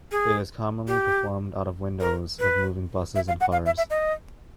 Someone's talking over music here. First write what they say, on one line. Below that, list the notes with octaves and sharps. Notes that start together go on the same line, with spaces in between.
It is commonly performed out of windows of moving buses and cars.
G#4
G4
A#4
B4
E5
F5
F#5
F5
E5
E5
D#5